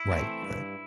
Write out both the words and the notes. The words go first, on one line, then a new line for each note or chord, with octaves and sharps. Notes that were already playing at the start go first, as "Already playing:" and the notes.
Right, right.
Already playing: E4
E3 A3 C4
G2